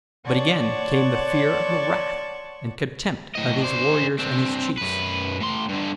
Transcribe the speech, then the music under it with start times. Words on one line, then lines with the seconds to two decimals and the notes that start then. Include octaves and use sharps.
But again came the fear of the wrath and contempt of his warriors and his chiefs.
0.25 C#5 D5 F#5 A5 C6 C#6
3.35 A2 D#5
3.61 D4 C5
4.19 C4 D4
4.78 F#2 B4
5.40 A2 C6
5.69 G2 D3